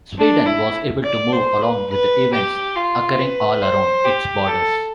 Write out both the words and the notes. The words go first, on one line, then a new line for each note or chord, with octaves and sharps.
Sweden was able to move along with the events occurring all around its borders.
D4
E4
D5
C5
B4
B4
G4
F4
B4
C5
G4
A4